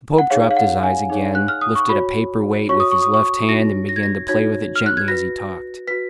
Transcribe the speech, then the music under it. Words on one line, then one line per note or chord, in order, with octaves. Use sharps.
The Pope dropped his eyes again, lifted a paper-weight with his left hand, and began to play with it gently as he talked.
F#5
D#4 G#4 C#5 F5
F5
F#5
G#5
D#4 G#4 C#5
F#6
F6
D#6
C#6
F#4 C#5 B5
F#4 C#5 C#6
D#6
C#6
D#6
C#6
D#4 F#4 C#5 A#6
A#6
G#6
A#6
D#4 F#4 C#5 G#6
F6
F#6
G#6
F#4 B4 A#6
F#4 B4 B6